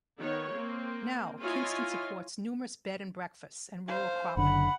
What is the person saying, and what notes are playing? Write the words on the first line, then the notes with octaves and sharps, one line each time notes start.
Now, Kingston supports numerous bed and breakfasts and rural cropping.
D#3 B3 C#5
A#3 C4
E4 F4 C#5 D#5 F5 G#5
C5 F5
F#1 D3 F#5 B5